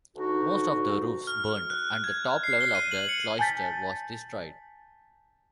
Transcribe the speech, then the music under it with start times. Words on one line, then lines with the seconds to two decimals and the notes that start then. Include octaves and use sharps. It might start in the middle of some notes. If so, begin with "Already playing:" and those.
Most of the roofs burned, and the top level of the cloister was destroyed.
0.15 D2 D#4 F#4
1.27 F6
1.44 F6
1.70 F#6
2.04 G#6
2.44 C7
2.61 G7
2.75 D#7
2.91 F#7
3.09 C#7
3.39 G#5 A5 G6 A6 B6